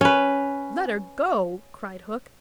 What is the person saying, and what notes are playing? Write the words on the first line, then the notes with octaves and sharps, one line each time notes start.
"Let her go!" cried Hook.
C#4 B4